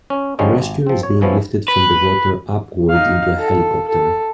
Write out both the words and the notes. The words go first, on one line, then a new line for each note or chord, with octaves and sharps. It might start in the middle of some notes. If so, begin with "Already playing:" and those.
A rescuer is being lifted from the water upward into a helicopter.
C#4
D3 F3 G3 G#3 C#4 D#4
G#1
F3 C4
C#5
F#2 E3 F3 B3 C#4 E4
B4
D#4 F5
A4
A4